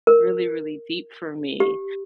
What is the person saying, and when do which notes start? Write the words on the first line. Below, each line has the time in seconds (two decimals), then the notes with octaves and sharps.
really, really deep for me.
0.07 A#4
1.60 G4